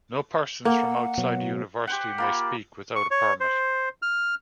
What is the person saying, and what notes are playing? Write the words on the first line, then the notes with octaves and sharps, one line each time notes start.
No persons from outside the university may speak without a permit.
A#3 F#5
B2 F#3
G4 C5 F#5
A#3 F4 B5
C#6
C#5
C5
F6